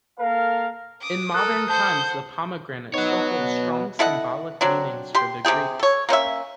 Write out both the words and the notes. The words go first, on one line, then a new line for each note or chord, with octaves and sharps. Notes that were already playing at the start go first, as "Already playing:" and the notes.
In modern times, the pomegranate still holds strong symbolic meanings for the Greeks.
A#3 A4 A#4 F5
D6 D#6
A4 A#4 D#6 F#6
C5 F#5 A5 G6
B3 D#4 C#5 F#5
B2
E4 A4 D#5 F#5
F#3 C4 D4
G4 C6
C3 G4 G#4 G5
A4 C#5
A#3 C#4 C5 E5